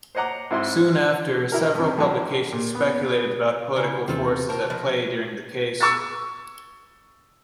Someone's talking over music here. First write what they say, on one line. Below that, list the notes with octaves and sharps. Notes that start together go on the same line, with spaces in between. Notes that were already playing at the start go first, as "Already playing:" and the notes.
Soon after, several publications speculated about political forces at play during the case.
C5 C#5 D#5 F#5 A#5 D6
G#2 C4 E4 D#5 E5 C6
E4 G4 A#4
G2 C3
A2 D3 F3 F#3
A#2
B3
C#3 E4 D5 G#5 A#5
D#2 C3 E3 C4 F4 A4
A#4 C5 A5
B2 F3 D#5
C#6 E6 A6